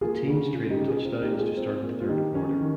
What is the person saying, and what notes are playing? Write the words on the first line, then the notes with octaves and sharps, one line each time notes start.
The teams traded touchdowns to start the third quarter.
A#3 F4 G#4
C#3
C#3 F4
D#4 G4
C#3
F4 G#4
C4 F4
D#4 G4
G#3
F4 G#4
C4
A#2
F4
D#3 D#4 G4
C#4
D#3